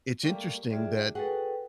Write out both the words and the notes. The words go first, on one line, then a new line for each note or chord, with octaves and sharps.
it's interesting that,
G3 A3 A#3
G3 D4 F4 G#4 E5
F#4 G#4 A4 B4 F#5 G5